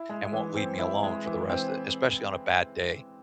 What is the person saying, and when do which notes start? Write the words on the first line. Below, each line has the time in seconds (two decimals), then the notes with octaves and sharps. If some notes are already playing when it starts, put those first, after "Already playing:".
and won't leave me alone for the rest e especially on a bad day.
Already playing: E4
0.09 G#3
0.33 E3
0.56 C4
0.79 E4
1.03 G#3
1.26 E3
1.49 C4